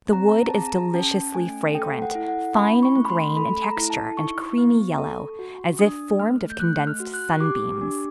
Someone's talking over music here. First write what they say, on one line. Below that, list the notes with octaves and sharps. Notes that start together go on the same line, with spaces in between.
The wood is deliciously fragrant, fine in grain and texture and creamy yellow, as if formed of condensed sunbeams.
C4 A#5
A5
G#4 A#5
C#4 A5
A3 G#5
A4 G5
F#5
E4
F#5
C#4 B5
C#6
A3
B5
C6
A4 B5
A#5
E4
A5
D#4 C#6
B3
A4
F#4
D4 D#6
A3 F6
G6
A3 F#6
F6
F#4
F#6
G4 D6
D4